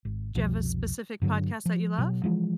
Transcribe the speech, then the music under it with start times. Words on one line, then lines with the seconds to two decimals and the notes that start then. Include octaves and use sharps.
Do you have a specific podcast that you love?
0.05 G#1
0.35 F1 C2 B2 F3
1.22 G2 D3 D#3 F#3
1.66 F3
1.98 B2 F#3
2.24 E3 F3 G#3